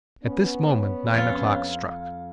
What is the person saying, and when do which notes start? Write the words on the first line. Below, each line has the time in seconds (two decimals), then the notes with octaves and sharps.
At this moment nine o'clock struck.
0.24 B3 C#4
1.15 F2 F4